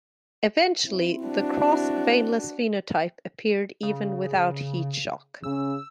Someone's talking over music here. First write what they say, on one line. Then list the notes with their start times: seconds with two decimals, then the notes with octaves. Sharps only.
Eventually, the crossveinless phenotype appeared even without heat shock.
0.87 C4 E4
1.24 D4 F#4
3.83 C#3
5.44 C#3 E6